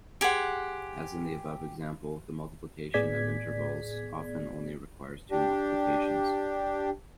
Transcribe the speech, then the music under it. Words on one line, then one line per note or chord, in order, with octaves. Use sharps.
As in the above example, the multiplication of intervals often only requires two multiplications.
G4 G#4 C5 F#5
A2 B3 G#4 D5 G#6 B6
D4 G4